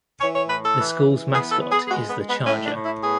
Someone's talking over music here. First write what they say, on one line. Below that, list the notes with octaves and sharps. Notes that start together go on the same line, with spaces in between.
The school's mascot is the Charger.
E3 C#5
C#5
A2 B4
A4
E3
E3
B3 G#4
A4
B3
G#4
G#4
G#3 F#4
B3
G#3
B3
A2 C#4
D4
A2
E4
B3 G#4